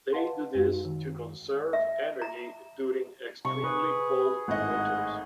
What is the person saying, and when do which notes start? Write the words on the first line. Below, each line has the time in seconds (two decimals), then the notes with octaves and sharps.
They do this to conserve energy during extremely cold winters.
0.13 B4 D#5 F5 F#5 A5 C6
0.55 F#2 G#3 D#4 F#4 F5
0.85 D#3
1.73 E5
2.22 A#5
3.45 C3 C#6
3.64 G#4 B4
4.48 G#1 A2 D#5 F#5